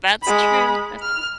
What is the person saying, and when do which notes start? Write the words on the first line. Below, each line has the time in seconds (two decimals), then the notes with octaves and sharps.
That's true. That's true.
0.23 G#3 B5
1.02 F6